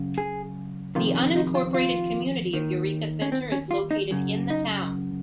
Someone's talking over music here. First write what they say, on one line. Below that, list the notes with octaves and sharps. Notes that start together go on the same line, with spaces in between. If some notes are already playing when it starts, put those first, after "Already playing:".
The unincorporated community of Eureka Center is located in the town.
Already playing: F#2 C#3
G#4
F2 C3 D#3 F4
C#4
D#4
F4
F4
D#2 D#3
C#4
C4
C#4
F4
D#4
F#2 C#3
D#4